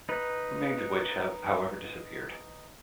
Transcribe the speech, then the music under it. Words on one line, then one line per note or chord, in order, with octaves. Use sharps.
Remains of which have, however, disappeared.
D#4 B4